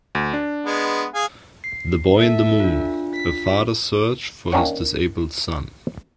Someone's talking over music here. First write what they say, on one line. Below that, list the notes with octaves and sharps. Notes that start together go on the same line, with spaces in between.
The Boy in the Moon: A Father's Search for His Disabled Son.
D2
D4
G#3 B3
G#4 F5 G#5
C7
A4 E5
D4 F4
B6
D#3 A#3 C#4 D4 C#5 F#5